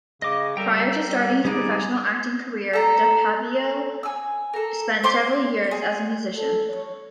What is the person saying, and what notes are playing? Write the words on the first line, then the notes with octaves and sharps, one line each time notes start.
Prior to starting his professional acting career, DePaiva spent several years as a musician.
C#3 D#5 D6
G3 A4 A#4 G5
G3
G3 D#4 G#4 D5
A4 A#5
G#5 E6
A4 A#4
C5 C6 D6
G#4
A4
C#5